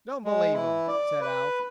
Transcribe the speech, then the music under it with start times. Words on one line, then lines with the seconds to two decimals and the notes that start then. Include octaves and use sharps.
"Don't believe 'em," said Alf.
0.25 G#3
0.54 E3 E4
0.87 D5
1.21 B4